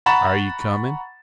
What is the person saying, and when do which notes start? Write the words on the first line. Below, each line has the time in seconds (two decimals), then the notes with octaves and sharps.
"Are you coming?"
0.06 F#5 A#5 B5 C#6 A6 E7